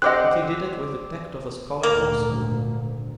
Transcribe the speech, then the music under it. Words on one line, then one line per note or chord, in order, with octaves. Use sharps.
But he did it with the tact of a scholar also.
C4 G4 C5 D5 D#5 F#5 F#6
G#1 D2 A#2 A#3